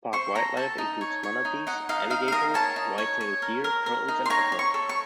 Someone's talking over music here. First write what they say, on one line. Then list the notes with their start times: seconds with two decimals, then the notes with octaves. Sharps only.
Park wildlife includes manatees, alligators, white-tailed deer, turtles and otters.
0.13 C5 C#6
0.35 A4 A#5
0.57 A4 A5
0.78 D#4
1.01 C#5
1.23 C#5
1.45 D#4
1.67 D#4 F#5
1.89 D#4 F5
2.10 D#4 F5
2.28 F5
2.32 A#4 D#5
2.54 C#5 A5
2.76 D#4
2.98 C#5
3.21 C#5
3.42 A#4
3.64 A#4
3.86 A#4
4.08 D#4
4.26 C6
4.30 C#5 A#5
4.52 C#5
4.59 C#6
4.74 A4
4.89 C#6